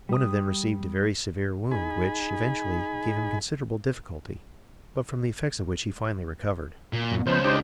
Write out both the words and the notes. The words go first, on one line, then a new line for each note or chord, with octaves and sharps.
One of them received a very severe wound; which, eventually, gave him considerable difficulty; but from the effects of which he finally recovered.
G3 D#6
D#4 G#4 G#5 B5
A#2
F#2
C#2 F3 B3 C#4 C5
D4 D#4 G4